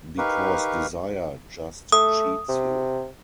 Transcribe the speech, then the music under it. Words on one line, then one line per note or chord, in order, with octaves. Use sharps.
Because desire just cheats you.
D#4 G4 A#4 B4 F5 C#6
A3 D#6
C3